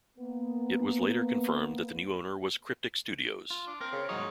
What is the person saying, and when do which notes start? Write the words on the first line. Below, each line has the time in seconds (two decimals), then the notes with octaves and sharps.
It was later confirmed that the new owner was Cryptic Studios.
0.18 A#3 B3
3.50 F4
3.67 D4
3.80 C4 A#4
3.93 C#3
4.09 G#2 F#3 D#4 C#5